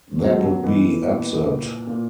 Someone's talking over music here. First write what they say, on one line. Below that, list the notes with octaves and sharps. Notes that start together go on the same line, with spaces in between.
That would be absurd.
B2 F#3
G#3
F#3
B2 E3
A#2
A#2
A#2